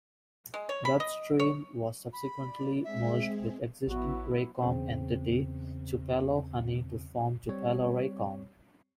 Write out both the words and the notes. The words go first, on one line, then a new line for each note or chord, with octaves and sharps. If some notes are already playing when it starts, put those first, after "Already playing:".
WebStream was subsequently merged with existing Raycom entity Tupelo Honey to form Tupelo Raycom.
G#3
C#5
B5
D#5
C#5
B5
D5
G#3 C4 G#4 E5
A1 F#3 B3 E4 F#4
E2 C#3 C4
G3 C4 C#5